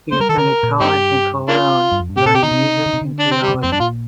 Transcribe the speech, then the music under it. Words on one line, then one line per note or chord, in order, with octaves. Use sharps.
He attended college in Cologne, learning music and theology.
A#3 C5
G3 A#4
D#3 A4
D3 A#4
A#2
G2 C4 D#4 G4
A#3 D4 F4
G2
F2
G2
A2 G4
A#2 A4
C3 G4
D3 D#4
C3
D3
C3
D3
D4
C4
G3
D3
C3
F2 C4
G2 D4
A#2 F4